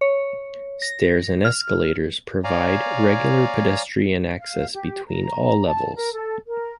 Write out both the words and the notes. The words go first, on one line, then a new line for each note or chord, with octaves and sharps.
Stairs and escalators provide regular pedestrian access between all levels.
C#5
A#6
F6
C#5 D5 F5 G#5 A#5
F5
G4
A#5
A5
A#4
A4
A#4